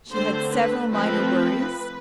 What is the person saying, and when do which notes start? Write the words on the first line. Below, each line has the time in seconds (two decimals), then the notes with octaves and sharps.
She had several minor worries.
0.10 D3 A3 C4 C5
0.52 B4
0.93 F3 A3 C4 B4